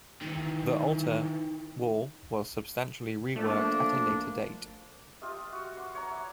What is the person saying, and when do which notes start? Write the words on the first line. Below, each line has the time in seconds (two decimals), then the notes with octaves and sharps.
The altar wall was substantially reworked at a later date.
0.22 D#3 E3
3.36 F3 A3 A#3 D4
5.21 F4 G4 D#5 E5
5.53 F#4
5.77 F#5 C6 D6
5.95 C#5 A#5
6.11 D5 E5